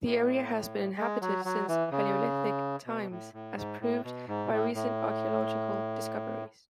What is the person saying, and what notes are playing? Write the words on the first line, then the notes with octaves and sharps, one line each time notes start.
The area has been inhabited since Palaeolithic times, as proved by recent archaeological discoveries.
A2
G#3
F#3
F#3
E3
C#3
B2
A2
A2
G#2
A2
B2
G#2
B2
A2
A2